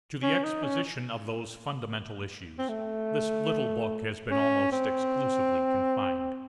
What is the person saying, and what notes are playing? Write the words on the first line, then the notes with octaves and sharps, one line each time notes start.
To the exposition of those fundamental issues this little book has been almost exclusively confined.
C#4
D#4
C#4
C4
A3
C#4
C4